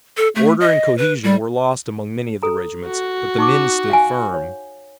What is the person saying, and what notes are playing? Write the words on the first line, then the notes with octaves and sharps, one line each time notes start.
Order and cohesion were lost among many of the regiments, but the men stood firm.
A4
A3
D#5
B4
G3
A4 A#5
F#4
D#4 C#6 D6
F5 F#5 G#5
C#5